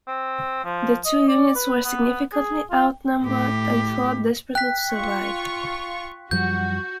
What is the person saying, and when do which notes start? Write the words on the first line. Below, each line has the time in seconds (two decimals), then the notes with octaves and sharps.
The two units were significantly outnumbered and fought desperately to survive.
0.07 C4
0.64 F3
1.06 D#5
1.27 D5
1.55 B4
1.85 B3
2.33 G#4
2.70 F4
3.24 A2 G4
4.55 G5 F#6 B6
4.95 F4 C#6
6.31 F#2 F3 G3 F#4 G6